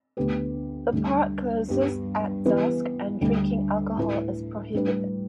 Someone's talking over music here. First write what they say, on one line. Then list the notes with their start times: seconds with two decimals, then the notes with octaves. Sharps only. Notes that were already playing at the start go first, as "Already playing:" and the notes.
The park closes at dusk and drinking alcohol is prohibited.
0.17 D2 D3 B3 G4 B4
0.92 D2 D3 G3 D4
1.69 G2 G3 B3 G4
2.45 E3 B3 G4 B4
3.21 D2 D3 G3
3.97 A2 A3 E4 B4
4.74 A2 G3 D4 G4 B4